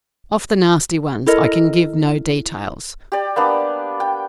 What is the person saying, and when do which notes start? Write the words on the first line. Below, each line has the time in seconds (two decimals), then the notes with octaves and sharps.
Of the nasty ones, I can give no details.
1.26 E4 A4 A#4 D#5
3.12 G4 D5
3.36 A#3 B3 D4
4.00 G5